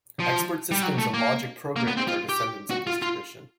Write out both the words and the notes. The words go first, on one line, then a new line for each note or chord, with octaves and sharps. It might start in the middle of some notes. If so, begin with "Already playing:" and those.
Expert systems and logic programming are descendants of this tradition.
F3
G3
F#3
A3
A#3
A#3
B3
C4
F4
G4
F#4
F4
F4